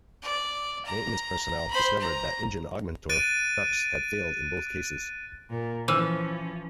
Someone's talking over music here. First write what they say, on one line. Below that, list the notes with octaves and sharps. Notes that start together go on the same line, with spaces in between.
Maintenance personnel discovered that engine augmentor ducts had failed in both cases.
D5
A#5
C5 B5
A#5
F#6 A6 D7 D#7
A#2 A#4
E3 F3 C#4 C5 E6 F6